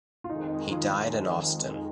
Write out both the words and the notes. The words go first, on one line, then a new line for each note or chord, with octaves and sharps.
He died in Austin.
F4
F2 D#3 G#3 D#4
F4